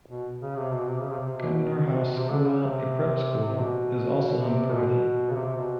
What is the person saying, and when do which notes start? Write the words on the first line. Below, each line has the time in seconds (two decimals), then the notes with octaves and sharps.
Cumnor House School, a prep school, is also in Purley.
0.09 B2
0.41 C#3
0.57 C3
0.73 B2
0.89 C3
0.99 C#3
1.10 C3
1.21 C3
1.37 B2
2.17 C3
2.32 D3
2.48 C#3
2.63 C3
3.44 C3
3.59 B2
4.39 C3
4.72 B2
4.87 B2
5.30 C#3
5.35 C3
5.46 C3
5.56 B2